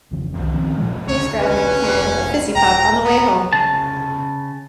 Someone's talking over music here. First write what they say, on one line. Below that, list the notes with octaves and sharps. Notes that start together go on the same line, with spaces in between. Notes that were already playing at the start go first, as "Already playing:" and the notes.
Please grab me a can of fizzy pop on the way home.
F1 F2 C#3 E3
C2 D#3
D#3 F3 C4 C#4
A#2 F3 G#3
D2 C#3 C#5
C#4 B4
F1
D#1 G5 A#5
B3 A#5
C#3 A5